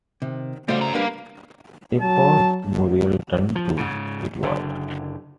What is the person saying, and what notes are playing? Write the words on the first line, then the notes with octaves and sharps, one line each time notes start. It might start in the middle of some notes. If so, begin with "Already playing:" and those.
A pause — Muriel turned to Edward.
C3 D#3
C#3 G3 A3 F#4 C5 D5 F5
F#2 A#5
G3 A#3 D4 G4 B4
F#3 A5
F3
G#2 C#3
F#1 D3